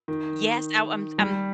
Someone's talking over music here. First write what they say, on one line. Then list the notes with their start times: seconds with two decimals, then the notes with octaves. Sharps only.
Yes, I I'm I'm
0.08 D#3
1.18 G3